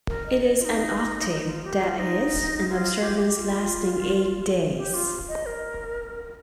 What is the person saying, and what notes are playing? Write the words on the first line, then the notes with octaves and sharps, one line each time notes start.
It is an octave, that is, an observance lasting eight days.
A#4
D#5
D#5
F4
D#4
D#4
F4
G4
F4
D#4
F4
G4
G4
F4
G4
F4
D#5
A#4